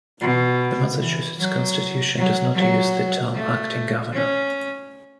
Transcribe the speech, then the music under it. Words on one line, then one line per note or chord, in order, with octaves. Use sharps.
The Massachusetts Constitution does not use the term "acting governor".
B2
E3
F#3
F#3
F#3
A3
C#4